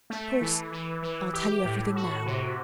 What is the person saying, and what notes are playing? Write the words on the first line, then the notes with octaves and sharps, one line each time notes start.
Of course I'll tell you everything now.
A3
E3
E3
E3
G4
A2
F#4
C3